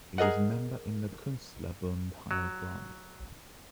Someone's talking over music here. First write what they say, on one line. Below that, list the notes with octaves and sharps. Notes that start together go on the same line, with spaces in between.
He was member in the Künstlerbund Heilbronn.
G#4 A#4 D#5 F#5
F#3